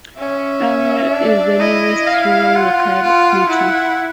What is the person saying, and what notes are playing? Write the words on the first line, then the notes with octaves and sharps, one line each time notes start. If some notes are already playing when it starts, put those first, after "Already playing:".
Amur is the nearest rural locality.
C#4 E5
D4
E4 D#5
F5
F4 F#5
F4
E4 F#5